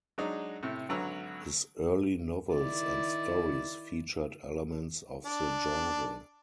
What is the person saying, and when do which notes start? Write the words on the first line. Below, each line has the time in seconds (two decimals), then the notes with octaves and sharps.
His early novels and stories featured elements of the genre.
0.18 F#3 G#3 D4 D#4
0.63 A2 C3
0.89 G#1 D3 F#3 B4 A#5 E6
2.54 D#3 E4 D5
5.25 D4